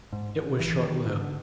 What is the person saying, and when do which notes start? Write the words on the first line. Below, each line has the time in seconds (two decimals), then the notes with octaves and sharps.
It was short-lived.
0.12 G#2
0.59 G#1 E3
0.82 D#3
1.05 G#2 D3
1.21 D3